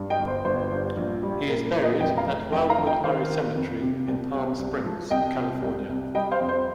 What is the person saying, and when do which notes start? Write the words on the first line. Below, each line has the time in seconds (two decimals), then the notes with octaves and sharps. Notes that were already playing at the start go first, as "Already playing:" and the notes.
He is buried at Welwood Murray Cemetery in Palm Springs, California.
Already playing: G2
0.10 D#5 G5
0.19 G1
0.28 C5
0.45 G1 C5
0.71 G2
0.97 A#1
1.23 G3
1.49 A#2 A#4
1.65 A#4
1.74 A#2
1.83 A#4 D#5
2.00 F1 D#5 G5
2.18 F5 A#5
2.27 F1
2.52 F1 D#5 G5
2.70 F5 A#5
2.78 F3
2.87 D#5 G5
3.04 D#3 C5 F5
3.29 D#3
3.56 F2
3.82 C3
4.08 C2
4.34 C2
4.59 C2
4.86 F3
5.10 C2 D#5 G5
5.37 C3
5.62 C2
5.89 C2
6.15 G3 D#5 G5
6.31 C5 F5
6.41 F2
6.49 C5